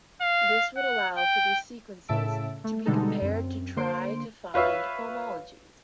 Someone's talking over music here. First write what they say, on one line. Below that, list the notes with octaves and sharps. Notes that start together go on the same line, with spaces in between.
This would allow for these sequences to be compared to try to find homologies.
F5
F#5
G5
A2 C#3 E5 A5 E6 D7
A3
B2 D3 G3 G#3 D#4 A4
F#2 C4
D3 A#3 C5 C6 D7
F4 B4 C#5 E5 F5